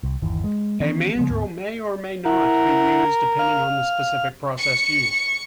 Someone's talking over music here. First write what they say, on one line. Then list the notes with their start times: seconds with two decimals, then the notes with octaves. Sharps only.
A mandrel may or may not be used depending on the specific process used.
0.03 C2
0.22 G1 D#2 E3
0.44 G#3
0.80 D#3 E3 B3 C#4
1.16 C#3 F3 G#3 B3
1.29 D2 G#2 B3
2.26 E4 A#4 F#5
3.39 F5 F6
4.58 C#6 C#7